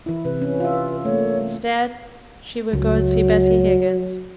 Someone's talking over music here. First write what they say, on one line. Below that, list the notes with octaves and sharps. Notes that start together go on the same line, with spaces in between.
Instead, she would go and see Bessy Higgins.
E3 E4
C3 B4
C#4
F4 E5
A3 A#3 C#5
C#2 F#3